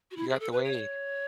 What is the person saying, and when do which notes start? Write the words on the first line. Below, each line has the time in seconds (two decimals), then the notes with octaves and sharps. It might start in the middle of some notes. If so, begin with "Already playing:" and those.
You got the way.
0.11 F#4
0.16 E4
0.29 G#4
0.40 A4
0.52 B4
0.64 C#5